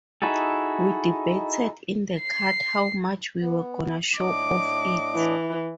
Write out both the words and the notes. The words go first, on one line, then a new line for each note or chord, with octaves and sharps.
We debated in the cut how much we were gonna show of it.
D#4 E4 F#4 G#4 A4
C7
B3
A2 D4 D#5 D6
E3